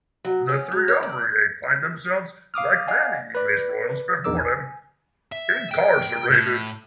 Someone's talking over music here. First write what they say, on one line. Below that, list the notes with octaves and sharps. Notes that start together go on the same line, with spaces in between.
The Triumvirate find themselves-like many English Royals before them-incarcerated.
F#3
C#4
F#3
C#5
D5
F5 D6 D#6 F6
D5 D#5 F5 F#5 G#5
B4 D5
A#1 E2 D#4 A#4 D6 E6
G#5
E5
G5
A2